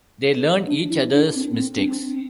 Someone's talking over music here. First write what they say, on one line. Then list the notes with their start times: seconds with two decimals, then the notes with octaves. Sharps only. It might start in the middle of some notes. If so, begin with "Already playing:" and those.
They learn each other's mistakes.
0.67 D4
0.90 E4
1.12 D4
1.35 C4
1.51 B3
1.57 C4
1.76 D4
1.87 C4
2.14 C4